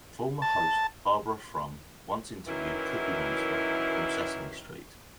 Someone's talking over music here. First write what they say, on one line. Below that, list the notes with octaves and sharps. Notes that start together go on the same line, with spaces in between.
Former host Barbara Frum once interviewed Cookie Monster from "Sesame Street".
A5
F#2 D#3 E3 F#3 E4